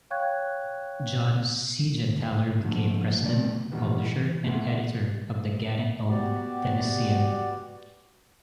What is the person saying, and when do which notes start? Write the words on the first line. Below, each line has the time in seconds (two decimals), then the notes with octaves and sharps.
John Seigenthaler became president, publisher, and editor of the Gannett-owned "Tennessean".
0.10 C#5 F5 G5 C#6 F#6 G#6
2.63 A#2 D3 F3 A3
3.22 G2 A3 A#4 D5
3.72 A#2 D#3 E3 G3 B3
4.05 E3
4.46 G#3 A3 B3 E4
6.09 B3 F#4 G4 D5